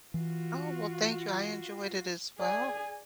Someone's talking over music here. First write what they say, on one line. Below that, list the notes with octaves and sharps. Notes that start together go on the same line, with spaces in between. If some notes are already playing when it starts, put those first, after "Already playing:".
Oh, well, thank you. I enjoyed it as well,
E3 F4 F#4
G#4 D5 G#5